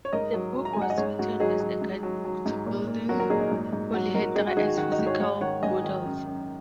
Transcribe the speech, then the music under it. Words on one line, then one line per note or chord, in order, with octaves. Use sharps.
The book was written as a guide book to building polyhedra as physical models.
C#5
G#2 A#4 D#5
F#3
F#3
A#5
G#5
G#2
F#5
D#5
G#2 G#4 C#5
G#2 F#4
F#3 D#4 G#4
F#3
G#2
F#3
F#3
G#2
A#2
A#2
F#3 F#4 A#4
F#4 A#4
A#2 D#4 G#4
D#4
G#2
G#2
F#3 F#4
G#2 F#4 A#4
G#2 D#4 G#4
F#4
D#3 D#4 G#4
F#4
D#3 F#4
D#4
G#2
G#4 C#5
G#2 C#5 F#5
D#3 C#5 F#5
G#2 D#5 G#5
D#3
F#2
F#2